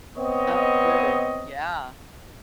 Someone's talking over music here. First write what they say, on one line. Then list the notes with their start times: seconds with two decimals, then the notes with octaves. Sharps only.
Oh, good. Yeah.
0.17 B3 C4 C#5 D#5